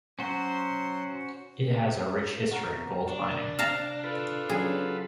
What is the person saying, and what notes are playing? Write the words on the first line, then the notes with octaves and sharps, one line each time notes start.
It has a rich history in gold mining.
F#3 C#4 F#4 C5 C6
F#4 A#4
D4
C3 F5 A5 A#5
F4 A4 B4
C#3 F#3 B3 G#4